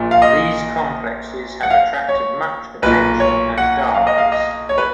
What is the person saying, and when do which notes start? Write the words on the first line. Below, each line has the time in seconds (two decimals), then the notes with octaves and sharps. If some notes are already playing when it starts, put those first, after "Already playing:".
These complexes have attracted much attention as dyes.
Already playing: A#1 A#2
0.11 F5
0.22 D#5
1.63 F#5
1.70 F5
2.08 C#5
2.82 B1 A#2 B4
3.20 C#5
3.58 F#5
3.94 F5
4.07 D#5
4.18 F5
4.32 D#5
4.69 C#5
4.78 B4